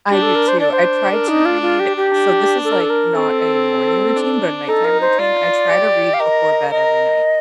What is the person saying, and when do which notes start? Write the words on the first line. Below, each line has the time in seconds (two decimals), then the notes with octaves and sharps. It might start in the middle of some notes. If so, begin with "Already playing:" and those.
I do too, I tried to read so, this is, like, not a morning routine, but a nighttime routine, I try to read before bed every night.
0.10 D4 G4
0.22 A4
0.35 A#4
0.48 C5
0.60 D4 D5
0.72 C5
1.12 A#4
1.28 D#4
1.45 F4
1.62 F4
1.80 G4
1.97 G4
2.13 D4
2.64 A4
2.72 A#4
2.80 A4
2.90 A#4
3.15 C4 A4
4.16 D4
4.68 D#4 A4
4.84 A#4
5.01 C5
5.19 F4 D5
5.69 G4
6.14 F5
6.20 A#4 D#5
6.71 A#4 D#5